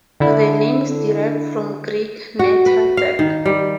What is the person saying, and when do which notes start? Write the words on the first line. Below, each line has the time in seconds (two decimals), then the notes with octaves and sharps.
The name is derived from Greek "Netta" "duck".
0.20 D3 E4
2.39 F#4
2.66 B4
2.97 F5
3.19 D#3
3.46 G3